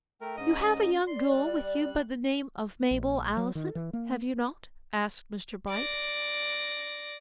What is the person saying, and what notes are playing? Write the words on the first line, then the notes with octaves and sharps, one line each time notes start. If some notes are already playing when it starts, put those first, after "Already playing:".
"You have a young girl with you by the name of Mabel Allison, have you not?" asked Mr. Bright.
A3 A#4 G5
G#2 C#4 D#5
D5 C6
G3 F#6
A#1
F#3
D#3
E3
A#3
D5 A#6